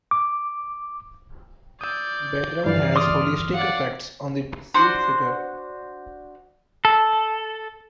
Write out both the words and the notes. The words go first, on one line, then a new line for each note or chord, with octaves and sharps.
Background has holistic effects on the perceived figure.
D6
D5 D#6 E6 G6
G2 E3 D5 F5
C6 D6 D#6 F6
D5 F5 F#5
D4 F#4 C5
A4